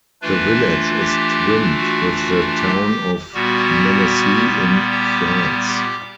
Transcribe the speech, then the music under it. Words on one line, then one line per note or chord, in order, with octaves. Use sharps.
The village is twinned with the town of Mennecy in France.
E3 A3 D4 F4 B4
G4
F#4
F#4
G4
A#2 G3 B3 F#4
G4
G4